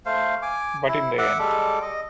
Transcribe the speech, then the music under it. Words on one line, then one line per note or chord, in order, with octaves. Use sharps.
But in the end.
A3 C5 F5
G#5 D6
E4
E5 F#5 D6
G3 G#3 A4 D6
D#5